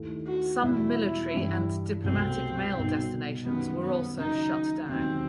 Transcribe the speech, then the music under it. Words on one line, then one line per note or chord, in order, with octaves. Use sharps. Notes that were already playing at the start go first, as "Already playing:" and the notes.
Some military and diplomatic mail destinations were also shut down.
Already playing: D#2 D#3 A3 E4
F#4
E2 B2 G3 E4
G2 E3 G3
C2 B2 A3 C4
B1 B2 G3 B3 D#4
F#2 D#3 G3 B3
B3
F#1 F#2 D#3 F#3 D#4
E1 D#2 D#3 F#3 C4